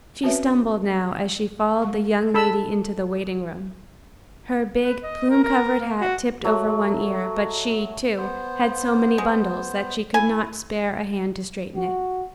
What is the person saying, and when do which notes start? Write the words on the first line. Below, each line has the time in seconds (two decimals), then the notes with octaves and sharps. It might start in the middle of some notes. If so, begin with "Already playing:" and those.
She stumbled now as she followed the young lady into the waiting-room. Her big, plume-covered hat tipped over one ear, but she, too, had so many bundles, that she could not spare a hand to straighten it.
0.23 C4 C#4 F#4 B4 C#5 E5
1.82 G#3 C#6
2.34 A4 B5 E6
4.83 B4
5.03 D#5
5.30 A#4
5.43 A#4
5.80 A#3
6.00 F#4
6.44 F#3 A3 A#4
8.18 B3 C5
9.18 G#3
10.14 E4 G#5
11.76 F#4